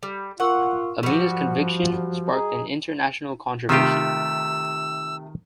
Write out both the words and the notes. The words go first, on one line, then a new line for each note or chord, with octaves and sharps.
Amina's conviction sparked an international controversy.
G3
F4 A#4 F#5 C#6 E6
F3 G3 F#4 C#6 E6 C#7
G#4 D#5 A#5
C3 D#3 A3 F4 G4 E6